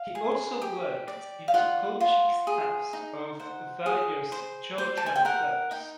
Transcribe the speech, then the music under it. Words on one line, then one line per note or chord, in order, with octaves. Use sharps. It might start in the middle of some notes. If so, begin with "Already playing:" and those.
He also worked in the coaching staffs of various Georgian clubs.
Already playing: F5
G#4
G4
D5
F5
F4 F#5
F4
G#4
D#4
C5 F#5
G#4
C5
C5
A5
G#5
G5
A#4 F#5
D#4 G5